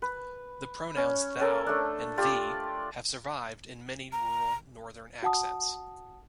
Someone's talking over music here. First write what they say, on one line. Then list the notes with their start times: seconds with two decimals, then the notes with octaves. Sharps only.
The pronouns "thou" and "thee" have survived in many rural Northern accents.
0.02 B4
0.97 C#4
1.40 C#4 A4 A#4
1.67 A3 D4
2.17 F4 G4 D5
4.12 A#5
5.23 F#4 F#5 A5 D#6